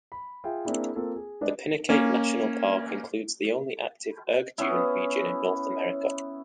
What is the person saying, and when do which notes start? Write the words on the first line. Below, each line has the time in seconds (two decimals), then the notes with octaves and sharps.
The Pinacate National Park includes the only active Erg dune region in North America.
0.12 B5
0.44 F4 G#4 E5 G5
0.65 A#3 C4 D4 E4 G#4
0.96 A#3 C4 F4 A4
1.16 G#4
1.41 G#3 D4 B4 D5 D#5
1.89 A#3 C#4
4.58 B3 C#4 E4